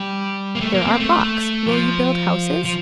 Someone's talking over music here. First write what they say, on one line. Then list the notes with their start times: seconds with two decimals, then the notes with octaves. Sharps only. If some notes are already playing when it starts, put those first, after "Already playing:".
"Here are blocks; will you build houses?"
Already playing: G3
0.55 A#3
0.61 A3
0.74 A#3
0.87 C4
1.00 A3
1.66 F3
2.65 F3